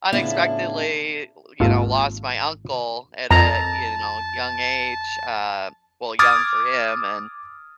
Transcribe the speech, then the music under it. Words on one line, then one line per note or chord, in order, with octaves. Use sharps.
unexpectedly w you know, lost my uncle at a, you know, young age, uh, well, young for him and,
A2 C#3 B3 D4 E4 F4
G#1 D#2 F4 A4
F2 A5 A#5
D6 D#6 F6 G#6 A6